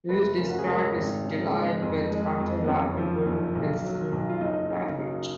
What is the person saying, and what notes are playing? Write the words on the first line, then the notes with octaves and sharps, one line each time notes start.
Pius described his delight with country life in very pleasing language.
F1 B4
C#3 A#4
F#4
G#4
G#3 A#4
G#1
C#3
G#3
F2
G#3
F2
B3
F#1 C#4
F3
F#1
B1
F#3
B1
F4
F#1 D#4
C#3
F#3